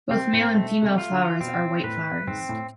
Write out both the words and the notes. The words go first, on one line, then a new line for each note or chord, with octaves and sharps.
Both male and female flowers are white flowers.
C3 C4
A2
B2 A3
C3
F4
D3
B2 C4
A2 B4
G#2 C4
A2